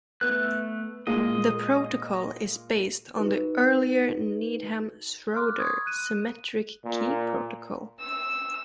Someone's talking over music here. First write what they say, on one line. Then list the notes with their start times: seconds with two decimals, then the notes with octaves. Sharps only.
The protocol is based on the earlier Needham-Schroeder symmetric key protocol.
0.21 A3 B3 F#6
1.07 A#2 G#3 A#3 D#5
3.18 D#4 F#4 B4
5.35 C6 D6 F6 F#6
5.59 B5 C#6 D#6 G#6
5.86 F#6 D#7
6.84 A#2
8.00 E6